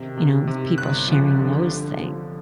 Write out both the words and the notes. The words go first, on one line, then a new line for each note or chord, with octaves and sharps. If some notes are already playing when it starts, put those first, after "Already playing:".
you know, with people sharing those things.
Already playing: C3 D#3
C3
C3
G1 F#6
F3
D3
D3
F3